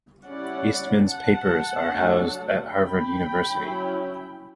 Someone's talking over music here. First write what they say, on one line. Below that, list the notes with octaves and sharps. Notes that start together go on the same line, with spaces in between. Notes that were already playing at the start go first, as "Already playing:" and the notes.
Eastman's papers are housed at Harvard University.
G3 C#4 E4 D5 F#5
F#5 A5
F#3 A3 D4
G5 B5
F#3 C#4 E4